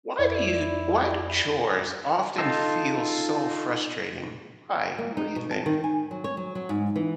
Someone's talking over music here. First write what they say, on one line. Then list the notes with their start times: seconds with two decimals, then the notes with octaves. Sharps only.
why do you why do chores often feel so frustrating? Why? What do you think?
0.19 F2 E4 D5
2.38 D#4 F4 A4
4.98 A#3
5.17 D#4
5.36 B2
5.51 A5
5.66 D#3
5.84 G#5
6.11 F#3
6.24 C#5
6.37 F#3
6.55 F#3
6.69 G#2
6.96 E3